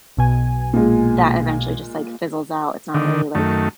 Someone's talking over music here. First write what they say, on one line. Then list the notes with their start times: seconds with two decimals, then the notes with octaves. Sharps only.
that eventually just, like, fizzles out? It's not really, like,
0.17 B1 B2 G#5
0.73 A#2 G#3
2.94 D3 D#3
3.35 F#2 D#3 A3